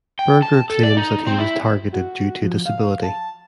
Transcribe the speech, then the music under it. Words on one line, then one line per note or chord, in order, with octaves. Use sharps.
Berger claims that he was targeted due to a disability.
G5
A5
A4
D5
D#4
C4
E4
F#4
F3
F5
A5